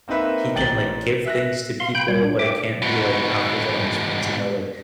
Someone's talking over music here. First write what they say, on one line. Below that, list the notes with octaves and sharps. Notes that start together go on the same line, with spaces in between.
he can, like, give things to people but it can't be, like, off his own expense, you know, like,
A#3 C4 D#4 B4 E5
A1 G5 A6 F#7 G7
E5 F#6 A#6
F5 C6
G5 B5 G6
G3 C#5
D4
E5 G5 D6
G#2 B2